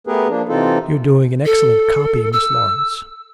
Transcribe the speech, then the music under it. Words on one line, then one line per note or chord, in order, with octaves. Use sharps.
'You're doing an excellent copy, Miss Laurence.'
A3 B3 G4 G#4 A#4 B4
F3 A#3 D4
C3 E3 C4 D#4 F4 A4
A4
E6